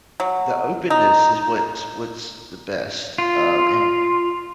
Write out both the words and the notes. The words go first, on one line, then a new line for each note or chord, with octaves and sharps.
the openness is what's what's the best, uh, and
F#3
D#4
F4